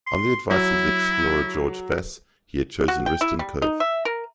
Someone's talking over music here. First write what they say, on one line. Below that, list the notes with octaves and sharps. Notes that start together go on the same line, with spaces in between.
On the advice of the explorer George Bass he had chosen Risdon Cove.
C6
F#3 E4
F#4
G5
E4
G3
D#4
E5
A#4